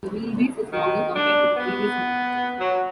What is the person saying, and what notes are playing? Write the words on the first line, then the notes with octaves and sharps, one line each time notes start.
The wheelbase is longer compared to the previous model.
D#3
D4
B3
F#3